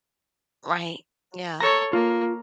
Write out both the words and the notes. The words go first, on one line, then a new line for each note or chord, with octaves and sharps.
Right, yeah.
A4 C#5 A#5
A#3 F4